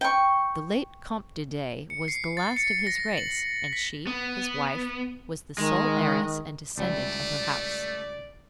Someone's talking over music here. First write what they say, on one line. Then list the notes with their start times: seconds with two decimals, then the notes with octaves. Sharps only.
The late Comte de Dey was the last of his race, and she, his wife, was the sole heiress and descendant of her house.
0.01 G5 C#6
1.90 C#7
2.08 C7
2.37 A6
2.56 C#7
2.87 A#6
3.17 F#7
3.73 B6
4.07 B3
5.58 D#3 G#3
6.78 C#2 G3 A3 E4 D5